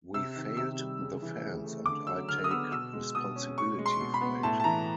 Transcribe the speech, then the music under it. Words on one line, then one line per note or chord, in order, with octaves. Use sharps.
We failed the fans and I take responsibility for it.
C3 E6
D#3
C3 E6
G3
C#3
E3
C#3
A3
D3 D6
F#3 E6
D3 F6
D#6
B3 E6
B2 E6
G#3
B2 D#6
C#4
B2 C#6
G#3
C6
B2
B5
B3
A2 A5
A5
E3 A#5